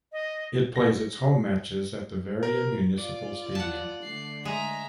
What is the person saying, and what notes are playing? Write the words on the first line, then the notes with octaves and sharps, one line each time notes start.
It plays its home matches at the Veria Municipal Stadium.
D#5
A#6
A#4
F4 D5
F#5 A5
D3 A3 C7
G#3 E5 A#5